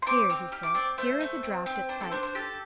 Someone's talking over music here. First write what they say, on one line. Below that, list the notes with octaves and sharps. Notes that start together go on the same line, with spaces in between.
"Here," he said, "here is a draft at sight."
C6
C4 D6
C4 F6
G4 F6
D6
C4 D5
A3 C5
A3
C4
C4
D4 C5
A4
D4 C5
C5
G4 A4